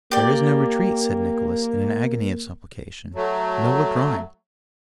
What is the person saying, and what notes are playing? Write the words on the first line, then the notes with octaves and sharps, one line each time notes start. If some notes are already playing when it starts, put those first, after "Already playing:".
'There is no retreat,' said Nicholas, in an agony of supplication; 'no withdrawing!
A#3 G4 D5
F#3 A3